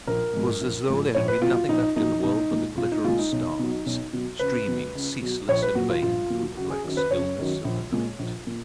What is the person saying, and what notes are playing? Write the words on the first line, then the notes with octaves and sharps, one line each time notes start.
It was as though there had been nothing left in the world but the glitter of stars streaming, ceaseless and vain, through the black stillness of the night.
A#1 A#4
G#2 F3 G#3
A#1
G#2 F3 G#3
A#1 C#5
B4
A#2 F#3 F4
F4
A#1 D#4
A#2 F#3 D#4
B1 D#4
A#2 G#3
B1 F4
D#4
A#2 G#3 F4
D#4
B1
B2 F#3
B1
B2 F#3
C#2 B4
B2 F#3
C#2
B2 F#3
A#1 C#5
B4
A#2 F#3 F#4
F4
A#1 F4
A#2 F#3
F#1 F#4
G#4
F#2 D#3 F#3
B4
F#1 C#5
F#2 D#3 F#3
A#1
A#2 G#3
A#1
A#2